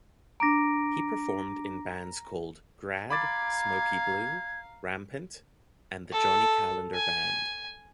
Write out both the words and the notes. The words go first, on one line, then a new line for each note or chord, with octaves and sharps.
He performed in bands called Grad, Smokey Blue, Rampant, and the Johnny Kalendar Band.
D4 A#5 D6 A#6 D7
F5 A#5 B5 D6 G#6 A6
A4
G#5